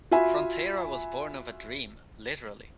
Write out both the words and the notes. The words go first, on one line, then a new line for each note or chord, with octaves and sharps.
Fronteira was born of a dream, literally.
F4 F#4 E5 G#5 B5